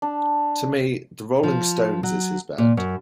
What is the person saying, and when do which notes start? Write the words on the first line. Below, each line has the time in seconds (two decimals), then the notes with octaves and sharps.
To me The Rolling Stones is his band.
0.02 D4
1.43 F3
2.03 F#3
2.58 A#2
2.77 F#2